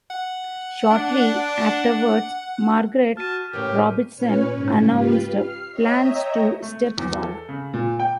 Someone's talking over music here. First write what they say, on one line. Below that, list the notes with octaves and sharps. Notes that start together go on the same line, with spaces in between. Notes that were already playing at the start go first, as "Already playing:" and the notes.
Shortly afterwards, Margaret Robertson announced plans to step down.
F#5
D4
F#5
F#4 A5 F6 D#7
A2 C#3 E3 G4 A#4
A#2 C#4 B4 C#5 F6
G#2 C#3 C#4
F4 G4 B4
F6 C7
C#5 D#5 E5 G5 A#5
A3
E2
A4
C#3
A#2
G5